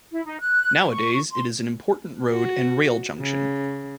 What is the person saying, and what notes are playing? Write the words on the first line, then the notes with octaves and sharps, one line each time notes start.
Nowadays it is an important road and rail junction.
E4
D#4
F#6
C#6
C6
F#4
C#3